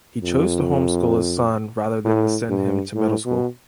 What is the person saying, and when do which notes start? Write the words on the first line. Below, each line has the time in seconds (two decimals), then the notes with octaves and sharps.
He chose to home-school his son rather than to send him to middle school.
0.23 F2
2.05 A2
2.50 G2
2.95 A2
3.26 B2